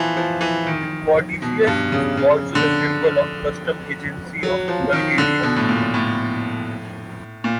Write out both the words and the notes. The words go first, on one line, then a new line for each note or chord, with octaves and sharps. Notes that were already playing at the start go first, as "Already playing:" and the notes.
The caduceus is also the symbol of the Customs Agency of Bulgaria.
Already playing: E3 F3
F3
E3
D#3
B2
G2
C#3
C#3
D3
F#3
F3
D#3
D3
B2
A2
A#2
A2
A#2